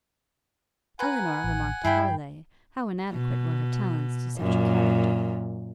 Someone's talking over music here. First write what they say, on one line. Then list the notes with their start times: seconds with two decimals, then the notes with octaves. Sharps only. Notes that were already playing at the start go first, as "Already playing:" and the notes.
Elinor remarked to Harleigh, how inadequate were her talents to such a character.
0.99 B4 F#5 G#5 A#5
1.44 A1
1.85 G2 E4 G#4 G5 B5
3.13 B2
4.39 F#2 A#2